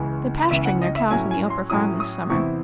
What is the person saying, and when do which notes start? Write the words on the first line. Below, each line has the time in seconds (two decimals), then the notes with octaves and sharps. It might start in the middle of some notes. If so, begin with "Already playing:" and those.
They're pasturing their cows on the upper farm this summer.
Already playing: C#2 C#3 E3 G#3
0.51 C#2 C#3 E3 G#3 E5
0.66 F#5
0.81 D#5
0.96 E5
1.11 A2 F#3 C#4 E4 G#5
1.31 G#5
1.50 C6
1.70 A2 F#3 C#4 E4 D#6
2.00 D#6
2.29 E2 C3 E3 C4 E4 C#6